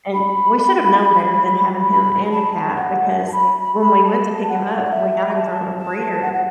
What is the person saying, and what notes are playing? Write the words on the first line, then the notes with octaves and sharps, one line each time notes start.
and we should've known better than having him and a cat, because when we went to pick him up- we got him from a breeder-
B5
B5
A5
F#5
A5
B5
B5
B5
A5
F#5
D5
E5
A5
A5
F#5
F#5